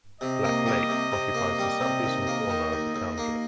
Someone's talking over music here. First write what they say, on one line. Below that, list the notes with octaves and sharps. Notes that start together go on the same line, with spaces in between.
Black Lake occupies the southeastern corner of the township.
C3 D#5
A#3
G3
C3
C3
A#3
G3
C3
D#2
A#3
D#3
D#2
D#2
A#3